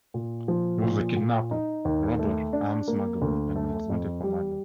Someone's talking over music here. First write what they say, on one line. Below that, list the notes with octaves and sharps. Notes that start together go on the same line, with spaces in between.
He was a kidnapper, robber, arms smuggler and was wanted for murder.
A#2
F3
A#2
A#2
D#4
D#2
A3
D4
A#3
D2
A3
F2
G3